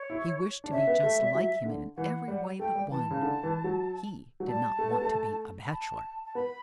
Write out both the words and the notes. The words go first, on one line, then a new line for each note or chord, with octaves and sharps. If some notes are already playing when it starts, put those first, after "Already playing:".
He wished to be just like him in every way but one; he did not want to be a bachelor.
Already playing: C#5
E4
D4
C#4 E5
B3
A3
G3
F#3
D3
E3 F#5
G3
A3 G5
G3
E3 A5
C#3
D3
E3
F#3
F#3
G3 A5
A3
B3
A3
B5
A5
A5
B3 B5